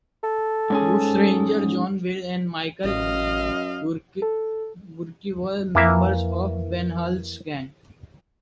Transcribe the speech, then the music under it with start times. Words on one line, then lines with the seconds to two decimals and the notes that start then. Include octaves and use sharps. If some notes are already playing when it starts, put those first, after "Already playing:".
Bushrangers John Vane and Michael Burke were members of the Ben Hall's gang.
0.23 A4
0.70 G#2 C#4 G#4
2.84 A1 F#2 D#5 F5
4.22 A4
5.75 F2 E3 A#3 E5